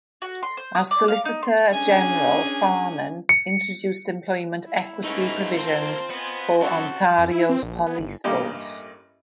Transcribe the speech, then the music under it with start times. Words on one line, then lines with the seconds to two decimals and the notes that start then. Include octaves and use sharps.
As Solicitor-General, Farnan introduced employment equity provisions for Ontario's police force.
0.22 F#4
0.43 C6
0.57 C5
0.75 D#6
0.91 D5
1.08 F5
1.25 D#4
1.43 C6
1.72 C#4 D4 G#4 G#5
3.29 C#7
4.65 E4
5.04 A3 A#3 C#4 D#4 G#4 B4
5.56 C4 F4 C5 A5 C6
6.10 B3 D#5 G#5
6.61 F#2 F#3 C#4 F#4 A4
7.18 F2
7.31 E4
7.49 C4
7.63 A#1
7.86 B3
7.99 G1
8.24 A1 G2 A#3 G4 D#5